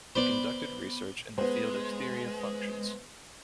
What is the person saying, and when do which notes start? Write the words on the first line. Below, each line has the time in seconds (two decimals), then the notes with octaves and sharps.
He conducted research in the field of theory of functions.
0.15 B3 C5 D5 B5
1.38 G#3 B3 C5